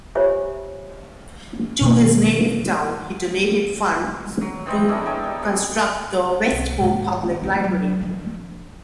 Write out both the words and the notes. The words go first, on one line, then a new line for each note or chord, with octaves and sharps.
To his native town he donated funds to construct the Westport Public Library.
F4 G4 C5 C#5 E5 G#5
B2 D#3 A#3
F#3
E3 B3 C4 D#4
C#4 D4 E4 A4
D#4 C#5 G5 A5
G3
C3
C2
G#2 D#3
F3 F4
F#3
F3 D4